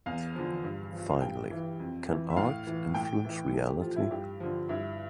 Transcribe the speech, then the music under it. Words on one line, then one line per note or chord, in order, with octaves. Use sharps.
Finally, can art influence reality?
E2 F5
D3 F3
G2
F3
F5
G2 G5
E3
F2
E3
E5
A2 F5
E3
A2 G5
E3
A2 A4
G4
F3 F4
E4
G2 G4
D3 F3
G2 E4